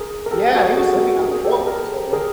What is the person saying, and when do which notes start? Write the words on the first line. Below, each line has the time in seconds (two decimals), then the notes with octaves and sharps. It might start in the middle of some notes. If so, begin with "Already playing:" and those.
Yeah, he was living on the boat, so.
Already playing: G#4 A#4
0.26 A#4
0.31 G4 A4
0.54 F#4 G#4
0.77 F#4 G#4
0.99 G#4 A#4
1.22 G#4 A#4
1.44 G4 A4
1.67 G#4 A#4
2.13 G#4 A#4